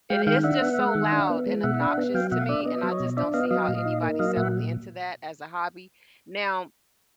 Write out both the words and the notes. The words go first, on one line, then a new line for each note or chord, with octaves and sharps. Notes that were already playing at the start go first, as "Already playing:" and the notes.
It it’s just so loud and obnoxious to me, and I just don't see how anybody settled into that as a hobby. Now
G#3 F5 G5
D#3 F5 G5
D4 E5 F#5
B3
G#3
D#3
D4
B3
G#3
B2 E5 F#5
D4
B3
F#3 F5 G5
B2 E5 F#5
F5
D4 D5 E5
B3 D#5
F#3 E5
C#5 D#5
B2
D4 D5 E5
B3 D#5 F5
F#3 D#5 F5
A#2
D#4
A#3
F#3 D#5 F5
A#2 E5 F#5